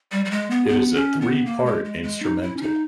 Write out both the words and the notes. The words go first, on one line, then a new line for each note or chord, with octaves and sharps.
It is a three-part instrumental.
G3
G3
G#3
B3
B3
C#4
B3
A#3
G#3
G#3
G#3
D#4
E4
C#4
D#4